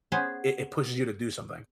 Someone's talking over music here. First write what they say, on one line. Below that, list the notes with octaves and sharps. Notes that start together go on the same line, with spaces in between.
it it pushes you to do something.
B3 C#4 G#4 B4 C5